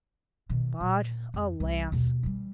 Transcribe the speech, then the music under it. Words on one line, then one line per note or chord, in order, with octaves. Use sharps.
But alas!
B2 D#3
A#2
F2
C2
D#2 B2
E3 G3